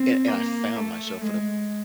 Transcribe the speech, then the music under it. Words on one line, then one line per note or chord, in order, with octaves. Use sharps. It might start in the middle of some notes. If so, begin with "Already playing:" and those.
and and I found myself at a
Already playing: C4
A#3
A3
G#3